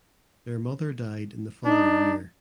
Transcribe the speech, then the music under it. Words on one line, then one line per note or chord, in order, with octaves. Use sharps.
Their mother died in the following year.
D4 D#4